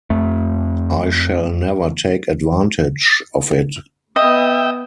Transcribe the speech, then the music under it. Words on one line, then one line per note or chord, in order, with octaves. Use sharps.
I shall never take advantage of it.
F2 A3
B3 D#5 E5 G5 D#6